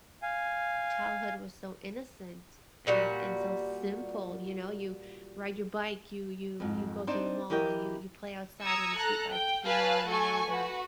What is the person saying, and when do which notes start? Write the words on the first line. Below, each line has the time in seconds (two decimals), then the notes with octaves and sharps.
childhood was so innocent, and and so simple, you know, you ride your bike, you you you go to the mall, you you play outside when the street lights came on, you know, the
0.22 F5 G#5
2.87 A#2 G3 F#4
6.60 F2 G#2
7.07 C4 D4 D#4 C5 D5
7.50 E3 G4 A#4 D#5 G5
8.62 A#5 D#6 E6 G#6 C#7
8.98 A4 A#5 F#6
9.32 G5
9.65 B4 F5 G#5 A5 F#6
10.07 A3 F#4 A4 G#5 C#6
10.48 F#4 B4